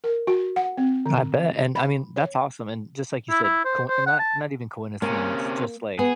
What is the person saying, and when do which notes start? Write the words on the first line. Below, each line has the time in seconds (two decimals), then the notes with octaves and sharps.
I bet. And, I mean, that's awesome. And just like you said, coin not not even coincidence, just, like,
0.04 A#4
0.27 F#4
0.56 F#5
0.78 C4
1.06 D3
1.76 B5
2.16 C#5
3.30 E4
3.44 E4
3.65 C5
3.88 C5
4.06 F#5
4.19 A5
5.02 C3 A#3 C#4
5.99 B3 G#4